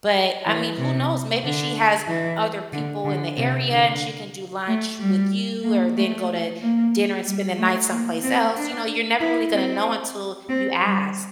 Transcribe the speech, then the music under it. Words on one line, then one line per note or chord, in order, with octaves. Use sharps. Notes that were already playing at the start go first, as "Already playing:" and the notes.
but I mean, who knows? Maybe she has other people in the area and she can do lunch with you, or then go to dinner and spend the night someplace else, you know, you're never really gonna know until you ask.
E3
C3
D3
E3
D3
D3
C3
D3
A3
G3
A#3
A3
A#3
G3
A3
A#3
C4
D4
E4
C4
C4
G3